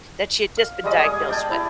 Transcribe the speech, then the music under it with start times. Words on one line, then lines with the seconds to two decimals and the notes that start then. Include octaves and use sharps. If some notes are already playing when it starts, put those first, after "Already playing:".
that she had just been diagnosed with.
0.57 F5
0.84 G3 G#3 D#5 D6
0.99 G#5 D#6
1.29 D5 G5 A5
1.51 E4